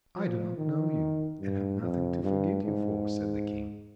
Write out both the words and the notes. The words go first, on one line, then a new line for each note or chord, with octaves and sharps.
"I do not know you, and have nothing to forgive you for," said the King.
F3
D#3
G2
F2
G2
G#2